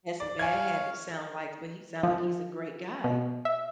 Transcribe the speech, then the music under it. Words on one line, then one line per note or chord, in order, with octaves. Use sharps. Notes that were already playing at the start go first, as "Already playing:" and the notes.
Had some bad habits sound like, but he sound like he's a great guy.
D5
C#5 F5 G#5 G#6
F3
B2
E5